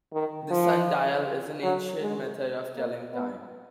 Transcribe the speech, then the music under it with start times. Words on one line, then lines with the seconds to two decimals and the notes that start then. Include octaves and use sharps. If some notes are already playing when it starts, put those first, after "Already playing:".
The sundial is an ancient method of telling time.
0.13 D#3
0.50 F3
1.63 F#3
2.01 G#3
2.76 A#3
3.13 B3